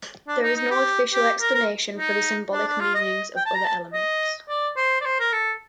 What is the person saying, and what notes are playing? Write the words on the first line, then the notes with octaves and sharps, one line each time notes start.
There is no official explanation for the symbolic meanings of other elements.
D4
D#4
D#4
G4
G4
A#4
A#4
D#4
D4
D4
F4
D#5
G5
A5
A#5
A5
D#5
D5
C5
D5
C5
A#4
A4